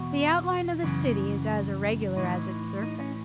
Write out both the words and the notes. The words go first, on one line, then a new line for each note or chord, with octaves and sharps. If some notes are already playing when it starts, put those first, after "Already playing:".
The outline of the city is as irregular as its surface.
Already playing: E2 B2 F#4
F#2 C#3 E3
A2 E3 D#4
D#4
C#4